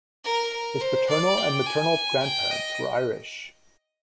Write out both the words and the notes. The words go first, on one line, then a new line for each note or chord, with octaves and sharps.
His paternal and maternal grandparents were Irish.
A#4
A#4
C5
D5
G5
G#5
G5
D#5